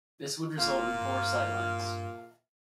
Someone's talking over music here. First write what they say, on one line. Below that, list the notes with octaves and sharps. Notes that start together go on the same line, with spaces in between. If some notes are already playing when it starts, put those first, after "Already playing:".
This would result in poor sightlines.
D1 A#2 F5
G2